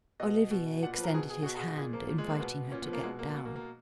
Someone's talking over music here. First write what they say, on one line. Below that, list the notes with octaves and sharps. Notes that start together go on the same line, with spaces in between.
Olivier extended his hand, inviting her to get down.
B2 D#5
B2
A#2 F#5
B4
F3
A#4
B2 G#4
G#4
B2 F#4
G#4
A#2 G#4
F3 A#3
A#2
G#3
F3 A#3
B2 B3
A#2 C#4
B3
F3
A#3
B2 G#3
A#3
B2 B3
A#3
A#3